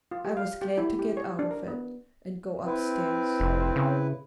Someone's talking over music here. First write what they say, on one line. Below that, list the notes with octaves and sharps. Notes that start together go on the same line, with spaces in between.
I was glad to get out of it, and go upstairs.
F4
G4
F5
G4
E4
G4
C#5
D4
A#4
B3
C4 E4 B4
F1
C#3